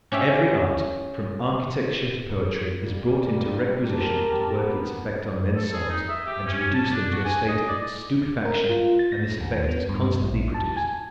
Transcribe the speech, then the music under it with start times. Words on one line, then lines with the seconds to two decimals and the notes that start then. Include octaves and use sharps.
Every art, from architecture to poetry, is brought into requisition to work its effect on men's souls and to reduce them to a state of stupefaction, and this effect is constantly produced.
0.12 C#4 G4 E5 F5
2.78 G3 A#3
3.90 G#3 C4 G4 A#4 A5
4.54 B3
5.56 A4
5.74 G#4
5.89 D#4
6.09 E5
6.26 G4
6.46 C#4
6.74 A5
6.93 D4
7.12 F#4
7.25 G#5
7.48 D#5
7.68 D5
8.45 A#4
8.69 F4
8.99 A6
9.12 A#6
9.40 D#2
9.69 B3
9.89 G2
10.06 G2
10.22 A#1
10.54 A5
10.77 G#5